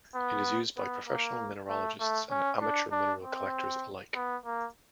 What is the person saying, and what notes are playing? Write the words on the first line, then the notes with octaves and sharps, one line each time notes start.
It is used by professional mineralogists and amateur mineral collectors alike.
B3
B3
A#3
A3
A3
C#4
D4
D4
C4
B3
A#3